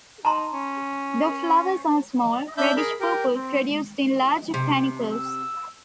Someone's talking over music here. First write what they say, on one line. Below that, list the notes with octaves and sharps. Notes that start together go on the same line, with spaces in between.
The flowers are small, reddish-purple, produced in large panicles.
D#4 A5 A#5 C6
C#4
D4 E5 B5 G6
G#4 A#4 B5
G4 A#4
C4
C3
E6